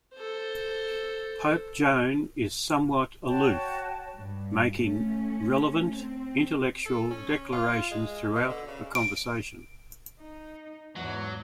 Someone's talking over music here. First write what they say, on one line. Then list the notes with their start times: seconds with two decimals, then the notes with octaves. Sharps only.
Pope Joan is somewhat aloof, making relevant, intellectual declarations throughout the conversation.
0.15 A4 C5
3.28 F#4 C#5 G5 A5
4.16 G2
4.76 A3 C#4
5.94 C4
6.86 A4
7.11 C#4
7.52 F4
7.91 G#3
8.35 B2
8.49 D3
8.67 C#3
8.95 D7
10.20 D#4
10.96 E2 G#2 F#3